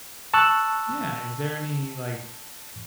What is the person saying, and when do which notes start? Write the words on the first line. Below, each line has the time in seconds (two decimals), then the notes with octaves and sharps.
Yeah, is there any, like,
0.34 A5 C#6 E6 F#6